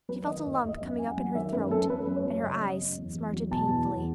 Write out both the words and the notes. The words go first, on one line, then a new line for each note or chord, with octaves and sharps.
She felt a lump coming up in her throat and her eyes smarted painfully.
F#3 B4
D#3 D#5
D#2
D#5
D#2 E5
D#5
F#2 E5
F#2 G#5
F#5
F#3
D#3 E5
F#2 B4
F#2 A4
F#2 B4
F#2
C#5
F#3
C#5
C#3 D#5
F#2
F#2
E2
E2
F#3
B2 A5
E2
E2